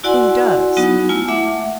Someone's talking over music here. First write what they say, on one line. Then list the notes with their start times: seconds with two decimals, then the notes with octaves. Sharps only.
"Who does?"
0.04 E4 F#4 D5 F#5 G#5 C6
0.77 F#3 B3 D#4 F#4
1.09 A3 E4 F4 G#5
1.28 A3 E5 F#5 D6